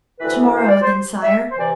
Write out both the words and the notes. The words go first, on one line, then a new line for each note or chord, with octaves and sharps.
"Tomorrow, then, sire?"
D2 C3 E3 B4
C5
D5
C5
E5
C5
C3 E3 D5